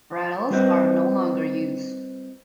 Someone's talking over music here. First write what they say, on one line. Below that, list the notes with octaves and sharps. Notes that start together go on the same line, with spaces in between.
Rattles are no longer used.
G3 C4 F4 B4 C5 D#5